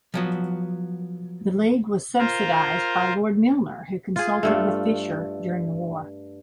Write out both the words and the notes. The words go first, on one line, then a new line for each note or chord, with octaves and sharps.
The League was subsidised by Lord Milner, who consulted with Fisher during the war.
F3 F#3 B3
F4 A#4 C5
F4 G#4
G2 A3